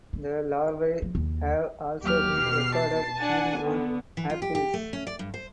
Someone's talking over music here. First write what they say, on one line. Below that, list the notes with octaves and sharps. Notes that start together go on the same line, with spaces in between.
The larvae have also been recorded feeding on apples.
D3
F3
D#2 C#3
D#2 F#3 G4 F6
B2 C7
A5
D4 F#5 G#5
D3 B3
E3
F4
G4
G4
A3
C#4
D5
G2
C5